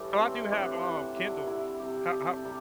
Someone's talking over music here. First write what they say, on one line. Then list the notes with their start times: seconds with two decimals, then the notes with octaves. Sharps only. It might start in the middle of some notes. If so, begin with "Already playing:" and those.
Oh, I do have, um, Kindle. How how
Already playing: A2 E3 G3 A3 D4
0.19 C4
0.51 A2 E3 G3 D4
0.84 F#4
1.15 C3 G3 E4
1.47 E4
1.80 C3 G3 G4
2.07 G4 A4
2.44 C3 G3